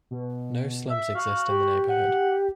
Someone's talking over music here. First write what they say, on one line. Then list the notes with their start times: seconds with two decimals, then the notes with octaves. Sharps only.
No slums exist in the neighborhood.
0.11 B2
0.90 E5
1.15 F#4 F5
1.49 G4
1.89 F#5